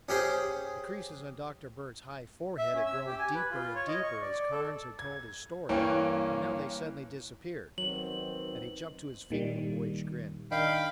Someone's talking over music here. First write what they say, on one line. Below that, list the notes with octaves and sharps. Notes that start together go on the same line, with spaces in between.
The creases on Dr. Bird's high forehead had grown deeper and deeper as Carnes had told his story, but now they suddenly disappeared, and he jumped to his feet with a boyish grin.
C#4 G4 G#4 C5
E5
C#4
E6
G4
G#5
B4
F4
C#5
D#5
C#6
D5
A4
G#6
G2 E3 A#3 C#4 G5 C#6
D#3 F#3 B3 C4 F#7
A#2 D#3 G3
D#3 D4 D#4 F5 G5 B5